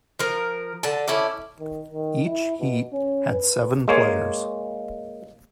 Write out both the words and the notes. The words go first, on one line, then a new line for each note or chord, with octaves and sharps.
Each heat had seven players.
F3 A#4
D3 A5
C#4 E4 A4 D5
D#3
D#3
E4
B2
C#4
B4
G#3 A#3 C#5